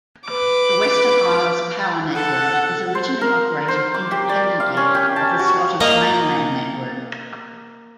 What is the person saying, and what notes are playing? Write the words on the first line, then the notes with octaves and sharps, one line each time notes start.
The Western Isles power network was originally operated independently of the Scottish mainland network.
B4 D6
A4 F#5
C5
A#4
C5
D6
G4
D5
F5
C#4
G4
A5
F#4
A#3 D#5 A#5